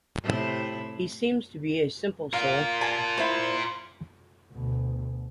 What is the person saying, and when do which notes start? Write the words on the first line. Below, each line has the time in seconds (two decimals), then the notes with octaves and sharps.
He seems to be a simple soul.
0.23 A2 C3 E4
2.33 F4 A#4 F5
2.81 G#5 A5
3.18 E4 C5
4.53 D2 B2